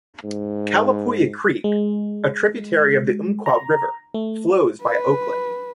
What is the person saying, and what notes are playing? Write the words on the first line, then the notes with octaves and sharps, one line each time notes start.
Calapooya Creek, a tributary of the Umpqua River, flows by Oakland.
G#2
G#3
A#5
A3
B4